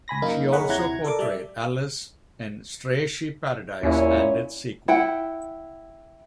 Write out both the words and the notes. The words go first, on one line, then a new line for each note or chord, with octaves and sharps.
She also portrayed Alice in "Stray Sheep Paradise" and its sequel.
C#2 G#5 B5 A#6
F#2 A#3 D#4
G#4 A#4 C#5 D#5 F#5 B5
D#2 C3 E4 F#5 A#5 G#6
A4 A#4 D5 D6
G3 D5 E5
D#2 A#2 C#4 E4
E4 F#5 G5